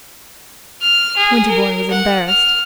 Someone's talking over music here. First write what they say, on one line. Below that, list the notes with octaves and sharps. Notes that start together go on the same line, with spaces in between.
Winterbourne was embarrassed.
F6
G#4
A#4
F#5
F6